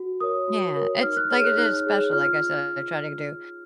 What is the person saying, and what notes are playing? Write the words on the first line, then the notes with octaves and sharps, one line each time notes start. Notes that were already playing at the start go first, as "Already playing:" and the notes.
Yeah. It's like, it is special like, I said, I try to do
Already playing: F#4
A#4 C#5 D#6
F#4
A#4 C#5
D#4 F6
F#6
G#4 C#5 F6
F#6
D#4 F#6
G#4 C#5
F4 F6